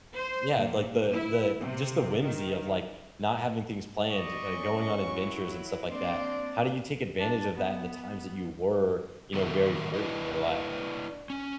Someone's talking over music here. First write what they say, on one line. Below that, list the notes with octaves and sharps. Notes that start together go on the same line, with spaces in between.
yeah, like, the the just the whimsy of, like, not having things planned, uh, going on adventures, and stuff like that. How do you take advantage of that in the times that you were, you know, very free in your life?
C5
A#2
E4
C3
D#3
G3 D5 D#5 C#6
C#4
F#3 E4
A#3 C4 D4 D5 C6
D4
B3
A2 D#3 F#4 A4 A#4 E5
D4 E4 B4 D#5
C#4